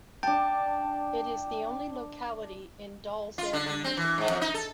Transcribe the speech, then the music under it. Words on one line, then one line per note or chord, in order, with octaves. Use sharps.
It is the only locality in Dals-Ed Municipality.
D4 G5 A5
F4
D3
D3
C4
E3
G#2
F2
D#4
A4